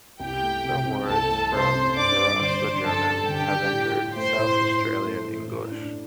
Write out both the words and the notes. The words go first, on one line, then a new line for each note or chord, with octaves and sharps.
Some words from Barossa German have entered South Australian English.
C2 G4 G5
A3
C3
C4
C2 A4 A5
A3
C3 C5 C6
C4
G2 D5 D6
G3
D3 C5 C6
D4
G2 A4 A5
G3
D3 G4 G5
D4
A2
F4
A3 C5 C6
A2
A2
F4
A3
A2
A2
D4